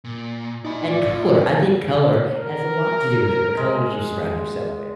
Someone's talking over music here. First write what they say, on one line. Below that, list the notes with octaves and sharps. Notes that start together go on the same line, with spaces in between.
and color I think color has a lot to do with it, what colors you surround yourself with.
A#2
D#4 E4 D5 G#5
A2 F4 D5
A#4
G#3